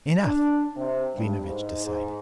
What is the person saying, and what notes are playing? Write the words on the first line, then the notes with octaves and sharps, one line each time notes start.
"Enough!" Klinevitch decided.
D4
C3
G2
G#2
G#2